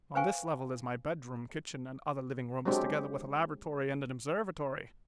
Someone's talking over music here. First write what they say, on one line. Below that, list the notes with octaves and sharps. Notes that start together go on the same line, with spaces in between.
On this level is my bedroom, kitchen, and other living rooms, together with a laboratory and an observatory.
B4 C5 F5 G5 G#5 C#6
F#3 G#3 C4 D4 G4